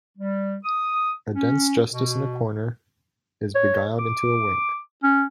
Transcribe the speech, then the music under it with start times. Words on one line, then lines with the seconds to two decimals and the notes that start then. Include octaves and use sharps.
A dense justice in a corner is beguiled into a wink.
0.18 G3
0.64 D#6
1.33 C#4
1.92 B2
3.55 C#5
3.99 D6
5.03 C#4